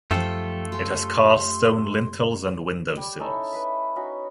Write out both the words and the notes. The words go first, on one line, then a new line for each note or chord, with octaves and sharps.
It has cast stone lintels and window sills.
F#2 F3 G3 A3 F4 A4 G5
G4 G#5 C6
G3 D5
C#4 D#4 E4 A4
B4 E5 B5
C#4 D#4 F#4 B5